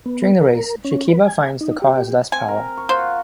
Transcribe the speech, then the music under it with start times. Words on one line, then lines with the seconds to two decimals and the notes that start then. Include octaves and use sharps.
During the race, Shikiba finds the car has less power.
0.06 B3
0.41 A#4
0.84 C#4
1.08 B4
1.25 G#5
1.61 D#4
1.82 G4
2.32 C4 G#5
2.48 A#4
2.77 C#6
2.89 F4 F#4 C5 F#5